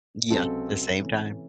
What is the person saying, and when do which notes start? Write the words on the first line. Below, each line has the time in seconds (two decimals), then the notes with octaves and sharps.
Yeah. The same time.
0.30 C#2 C3 F#3 C4 A4
0.99 C3 E3 A3 C#4